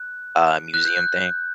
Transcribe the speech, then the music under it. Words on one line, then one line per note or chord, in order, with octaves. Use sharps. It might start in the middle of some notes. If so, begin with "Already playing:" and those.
uh, museum thing?
Already playing: F#6
F#6
G6
F#6